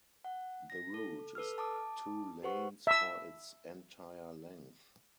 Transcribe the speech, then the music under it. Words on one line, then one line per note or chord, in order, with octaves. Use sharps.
The route is two lanes for its entire length.
F#5
A#6
A4
A4 B4 E6 F6
A5 D6 D#6
G4 B4 C5 F#5 C#6
E5 E6